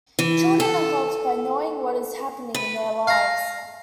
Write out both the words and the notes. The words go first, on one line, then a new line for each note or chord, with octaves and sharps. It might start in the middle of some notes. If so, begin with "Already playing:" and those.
Children are helped by knowing what is happening in their lives.
E3
A4
B4
F5 A#5